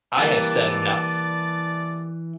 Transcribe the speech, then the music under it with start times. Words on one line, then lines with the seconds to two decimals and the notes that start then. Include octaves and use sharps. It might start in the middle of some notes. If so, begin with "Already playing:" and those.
I have said enough.
0.17 C3 E3 G3 A#3 D5 A5